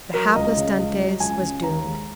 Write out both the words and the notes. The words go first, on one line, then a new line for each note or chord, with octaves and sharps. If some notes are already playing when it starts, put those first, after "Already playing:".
The hapless Dantes was doomed.
F#3 A#4
C#2 D#5
C#3
C#2
F#3
C#2 G#5
C#3
D#2 A#5
G#3